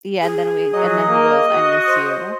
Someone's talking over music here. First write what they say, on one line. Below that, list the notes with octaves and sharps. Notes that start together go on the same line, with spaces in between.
yeah, and then we and then he goes, "I miss you,
G#4
F#3 D#5
A#3
F#4
C5